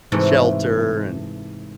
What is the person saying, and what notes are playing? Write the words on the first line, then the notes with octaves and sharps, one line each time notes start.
shelter, and,
G#2 C3 E3 A3